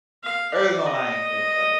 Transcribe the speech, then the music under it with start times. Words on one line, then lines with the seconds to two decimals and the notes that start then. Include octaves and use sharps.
early on, I ain't care about it.
0.24 F5
0.54 D5
0.86 D#5